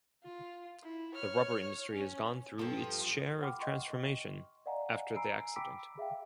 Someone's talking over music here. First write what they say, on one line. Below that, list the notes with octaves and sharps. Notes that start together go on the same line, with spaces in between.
The rubber industry has gone through its share of transformation after the accident.
F4
E4
C#5 F6
C#4
G2 F3 A4
F#5 G5 B5 C6 D6 F6
D#5 G5 C6 C#6
D5 D#5 F5 F#5 G#5 A#5
G#5 A#5 B5 E6 C7 D7
G5 B5 D6 E6 B6 D7
G#4 E5 F5 G5